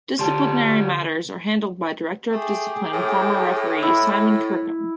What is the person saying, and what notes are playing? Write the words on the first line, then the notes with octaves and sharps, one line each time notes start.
Disciplinary matters are handled by Director of Discipline and former referee Simon Kirkham.
D3 F3 G3 A5 C6
A3 G4 G#4
A2
E4